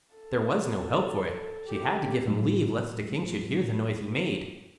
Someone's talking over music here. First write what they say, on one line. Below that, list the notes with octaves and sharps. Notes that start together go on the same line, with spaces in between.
There was no help for it; she had to give him leave, lest the king should hear the noise he made.
A4
F#2 C#3 G4
A2 F#3 G#3